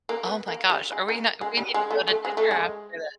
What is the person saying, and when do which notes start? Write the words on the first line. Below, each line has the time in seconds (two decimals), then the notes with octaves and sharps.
Oh my gosh are we not we need to go to dinner after this
0.09 A#3
0.25 B3
0.48 A#3
0.70 G3
0.92 G#3
1.08 A#3
1.41 G#3
1.57 G3
1.74 G#3
1.91 A3
2.08 A3
2.25 G#3
2.37 A3
2.51 G#3